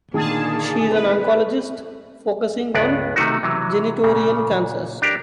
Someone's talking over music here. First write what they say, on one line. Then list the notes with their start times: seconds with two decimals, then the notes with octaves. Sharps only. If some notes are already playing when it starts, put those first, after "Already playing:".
She is an oncologist focusing on genitourinary cancers.
0.14 A#2 D3 D#3 A#3 G#4 A5
0.91 C4 E4 B4
2.74 C#2 G2 G#3 B3 D5
3.16 C3 D#3 A3 D#4 F#4
3.43 C3 E3 F#3
4.04 A#2 C#3
5.02 D4 G4 A#4